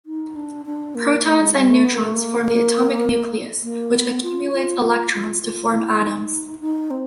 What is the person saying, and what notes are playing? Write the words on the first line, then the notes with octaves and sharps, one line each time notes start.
Protons and neutrons form the atomic nucleus, which accumulates electrons to form atoms.
D#4
D4
D4
A#3
A3
G#3
G3
A3
B3
A#3
A3
A#3
A#3
A#3
B3
F4
F4
F4
F4
F4
E4
D#4
D#4
C4